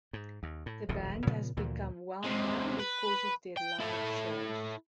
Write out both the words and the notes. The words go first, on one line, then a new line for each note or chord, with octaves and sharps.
The band has become well known because of their live shows.
G#2
D#2
A2
D#1 A#1 F2 B2
A#2 C#3 F3 B3
D2 A#2 E3 F3
C3 G#3
B4
G5
E4 A4